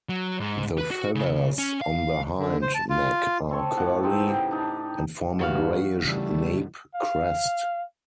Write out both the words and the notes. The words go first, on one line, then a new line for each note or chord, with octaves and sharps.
The feathers on the hind neck are curly and form a greyish nape crest.
F#3
G#2
B4
F#4
C#3
C#4
F5
D3
C5
A5
F4
C4 A4 C#5 C6
A2 F5 F#5
E3 C4 D#4 A5
C#3 G4
D4 D#4
E2 G2 F#4 F5
C#3 E3 G3 A3
F5